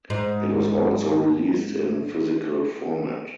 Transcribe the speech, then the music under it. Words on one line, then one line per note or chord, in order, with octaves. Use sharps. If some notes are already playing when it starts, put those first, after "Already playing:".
It was also released in physical format.
G#2